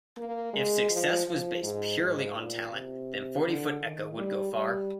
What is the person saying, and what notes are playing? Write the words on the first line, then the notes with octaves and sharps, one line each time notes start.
If success was based purely on talent, then Forty Foot Echo would go far.
A#3
G#3
F3
F3
G#2
G#2
A#2
C3
D3
D#3
G3
G3